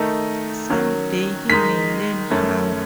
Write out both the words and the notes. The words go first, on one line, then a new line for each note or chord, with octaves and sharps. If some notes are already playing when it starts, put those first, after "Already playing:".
Some day he may learn how.
Already playing: D#3 A3 D#4
D#3 F#3 C#4
D#3 G#3 D#4 B6
F#2 D#3 A3 C#4